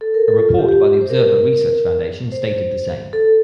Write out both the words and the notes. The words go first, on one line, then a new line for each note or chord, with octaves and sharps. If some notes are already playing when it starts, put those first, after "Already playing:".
A report by the Observer Research Foundation stated the same.
A4
A#4
A4
F4
F4
G4
G4
C5
A#4
C5
A4